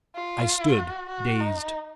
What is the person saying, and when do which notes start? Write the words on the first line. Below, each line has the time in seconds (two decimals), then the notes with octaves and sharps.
I stood dazed.
0.16 F4
0.78 F#4
1.09 F#4
1.40 D#4